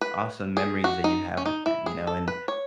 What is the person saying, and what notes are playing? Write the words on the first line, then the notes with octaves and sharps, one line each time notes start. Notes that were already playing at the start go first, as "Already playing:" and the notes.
awesome memories that you have with him, you know, and,
B4
G#4
F#4
D#4
C#4
D#4
E4
G#4
A4
B4
C#5